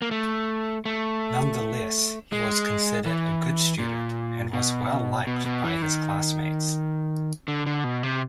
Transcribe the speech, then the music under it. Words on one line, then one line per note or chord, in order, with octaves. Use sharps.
Nonetheless, he was considered a good student and was well liked by his classmates.
A#3
A3
A3
G#3
E3
A#2
B2
B2
B2
E3
D#3
D3
D3
B2
C3